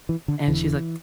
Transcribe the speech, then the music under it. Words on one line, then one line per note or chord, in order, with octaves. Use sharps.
and she's like
E3
D3
E1 E2 D3 E3